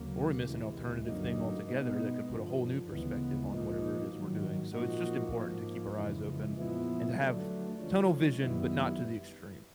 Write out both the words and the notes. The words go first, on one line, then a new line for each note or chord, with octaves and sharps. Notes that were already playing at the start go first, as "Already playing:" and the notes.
or miss an alternative thing altogether that could put a whole new perspective on whatever it is we're doing, so it's just important to keep our eyes open and to have tunnel vision, but not to the extreme.
Already playing: D2 C#3 F#3 A#3
D2 C3 E3 G#3
G2 D3 F#3 A#3 D#4
B2 G#3 B3 D#4
G2 D3 F3
D2 C#3 E3 G#3 B3
A#2 F3 A#3 D#4
G#2 D#3 F#3
A#2 F3 A#3 D#4 F#4
G#2 F3 A#3
F2 C#3 E3 G#3
A#2 F3 G#3 B3 E4
D3 F#3 A3 D4
D3 F3 G#3 C#4
F#2 D#3 G3 B3 E4